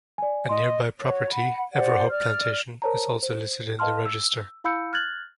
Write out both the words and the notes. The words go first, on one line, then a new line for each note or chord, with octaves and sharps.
A nearby property, Everhope Plantation, is also listed in the register.
D5 G#5
D#5 C6
F#4 C#5
F#5 B5
G4 C5 D5 F#5
D5 F6
A#4 C5 C#5 A5 A#5
C5
B4 D#5 F5 A5 C6 F6
E6
E4 F5 B5 E6 G6 C#7
F6 F#6 G#6 A6 F#7